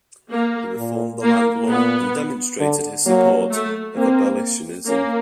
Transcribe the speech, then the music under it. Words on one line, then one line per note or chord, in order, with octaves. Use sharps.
He reformed the land law and demonstrated his support of Abolitionism.
A#3
A#2
A#3
A#2 B3
D3
F#3 A#3
A3
A#3 C4
A#3 C#4